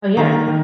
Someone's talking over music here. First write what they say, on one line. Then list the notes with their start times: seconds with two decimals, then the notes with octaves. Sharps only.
Oh yeah.
0.17 D#3 A#3 A#5
0.48 D#3